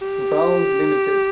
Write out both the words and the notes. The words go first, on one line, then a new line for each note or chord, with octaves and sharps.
Vowles Ltd.
G4